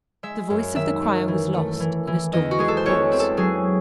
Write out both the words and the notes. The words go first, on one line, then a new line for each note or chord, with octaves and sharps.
The voice of the crier was lost in a storm of applause.
G#3 E5
F#2
D#3 E5
F#2
E3
A3
E3
E3
E2 D#5
F#4
G#3 G#4
A4
C5
E2 C#5
C4
A4
F#3 G#4